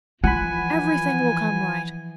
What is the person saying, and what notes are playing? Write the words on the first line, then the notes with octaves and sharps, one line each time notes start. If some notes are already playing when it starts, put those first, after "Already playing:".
Everything will come right.
E3 F3 F4 F#5 G#5 B5